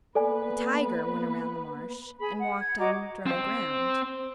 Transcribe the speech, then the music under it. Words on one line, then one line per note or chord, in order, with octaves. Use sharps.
The tiger went around the marsh and walked on dry ground.
A#3 B3 A4 B4 D5 G#5
G#4 B5
F#5
G#6
F#4 D#5 A#5 D6
C4 C5